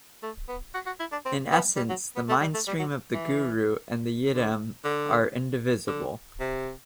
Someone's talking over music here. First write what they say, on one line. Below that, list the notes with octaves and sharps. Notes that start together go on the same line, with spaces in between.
In essence, the mindstream of the guru and the yidam are indivisible.
A3
B3
F#4
F#4
E4
D4
C4
B3
G3
F#3
B3
A3
G3
A3
G3
F#3
E3
D3
D3
D3
C3